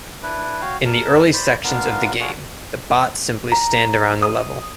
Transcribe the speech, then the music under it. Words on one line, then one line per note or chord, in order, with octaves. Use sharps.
In the early sections of the game, the bots simply stand around the level.
D4 E4 B4
F#4 C#5 F5 G5
A#4 A5
C5 D5 B5
B3 D4 F4 A#4 F5
D4 F4 F#4 G#4
A#5
D#6